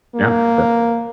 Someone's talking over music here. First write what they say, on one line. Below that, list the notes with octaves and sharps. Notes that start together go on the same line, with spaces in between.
Yeah. Yeah.
A#3